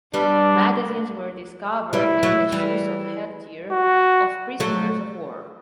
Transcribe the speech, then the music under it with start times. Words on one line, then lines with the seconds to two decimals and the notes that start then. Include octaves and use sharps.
Magazines were discovered in the shoes or headgear of prisoners of war.
0.14 G3 B3 D4
1.93 G3 B3 E4
2.23 F#3 A3
2.52 E3 G3
3.71 F#4
4.60 F#3 A3